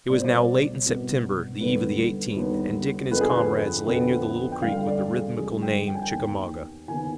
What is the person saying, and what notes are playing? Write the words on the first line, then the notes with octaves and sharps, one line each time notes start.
It was now late in September, the eve of the eighteenth, and Dick and his comrades lay near the little creek with the rhythmical name, Chickamauga.
C2 B2 B3 D5
C5
D5
C2 B2 B3
D#2 D3 G3 B3 B4
D#2 D3 G3 B3
F2 D3 F3 B3 B4
G#4
B4
F2 D3 F3 B3
G5
F2 D3 G3 F5
D5
G#4
F2 D3 G3 G#4
G5
G5
G#5
G5
D#2 D#3 B3
D#2 D#3 B3 G#5